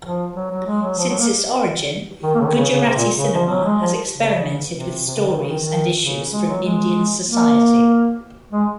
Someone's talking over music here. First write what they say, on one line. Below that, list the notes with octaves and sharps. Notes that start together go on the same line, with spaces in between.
Since its origin Gujarati cinema has experimented with stories and issues from Indian society.
F3
F#3
F#3
G#3
F#3
F3
F#3
A#3
D#3
A#3
C#3
D#3
C#3
C#3
C3
A#2
C#3
F3
F#3
G#3
F3
C#3
C3
C3
C#3
D#3
C#3
D#3
D#3
C#3
G#3
F#3
G#3
A#3
G#3